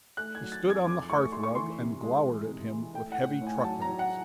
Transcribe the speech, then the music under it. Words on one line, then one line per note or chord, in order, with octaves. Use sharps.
He stood on the hearth-rug and glowered at him with heavy truculence.
A3 F#6
G#6
F#3
A6
F2
G#6
F2 D6
A3 C#6
A3 C6
C#6
E3 C6
C3
G#3
E3
C3
E3
A3 G5
F#5
A2
A2
G#5
F#3 A5
A#5
F#3
F#5